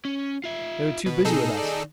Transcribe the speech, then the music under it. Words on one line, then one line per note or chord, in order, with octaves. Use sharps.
'They were too busy with us.
C#4
F4 E5
B2 B4
B2 D#4 G#4 A4
D#3 D5